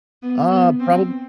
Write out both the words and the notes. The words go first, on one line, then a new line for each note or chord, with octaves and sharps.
Uh, probab
B3
B3
C4